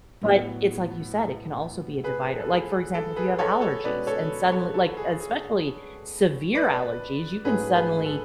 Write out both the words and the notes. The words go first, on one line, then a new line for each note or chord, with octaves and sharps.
but, it's like you said, it can also be a divider, like, for example, if you have allergies and suddenly like, especially severe allergies, you can suddenly,
A2 F#3 B3
G#4 B4
A4
G#4
A4
G#4 B4
A4 C#5
A4 C#5
B2 G#3 C#4 B4 D5
A4 C#5
A4 C#5
A4
G#4
G#4
B4 D5
G#2 F#3 A3 C#4 G#4 B4
G#4 B4
A4